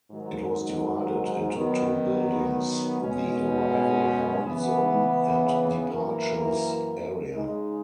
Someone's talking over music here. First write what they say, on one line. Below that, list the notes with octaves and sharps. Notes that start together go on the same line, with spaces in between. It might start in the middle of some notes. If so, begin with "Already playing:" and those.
It was divided into two buildings: the arrival hall zone and departures area.
G#2 D#3 F#3
D#3 F#3 B3
B2 G#3 C#4
C#3 E3 B3
F#2 E3 A#3 E4 A#4
C#3 G#3 D#4 G#4